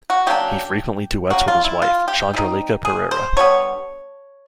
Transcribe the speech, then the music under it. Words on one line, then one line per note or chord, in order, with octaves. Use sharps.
He frequently duets with his wife Chandralekha Perera.
F#4
C#3 F#3 A#3 D4 G4
G3 A#3 C#4 F#4
F4
E4
F4
G4
E3 G3 C4 D#4
G#4
C5
D3 G3 B3 C#5